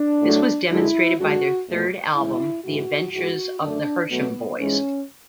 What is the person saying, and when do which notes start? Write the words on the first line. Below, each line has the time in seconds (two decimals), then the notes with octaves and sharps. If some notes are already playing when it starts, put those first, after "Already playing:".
This was demonstrated by their third album, "The Adventures of the Hersham Boys".
Already playing: D4
0.21 A2 F#3 A3
0.69 F#2 D3 G#3 E4
1.18 F#2 D3 G#3 F#4
1.67 E2 B2 A3
2.15 E2 C#3 G#3 E4
2.64 G#2 E3 G#3 F#4
3.13 G#2 E3 G#3 F#4
3.61 F#2 D3 A3 D4
4.09 B2 F#3 A3 B3
4.58 G#2 E3 G#3 C#4